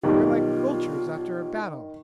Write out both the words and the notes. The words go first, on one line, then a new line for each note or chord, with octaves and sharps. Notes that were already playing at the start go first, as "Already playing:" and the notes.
"They're like vultures after a battle."
B1 D#3 G3 F4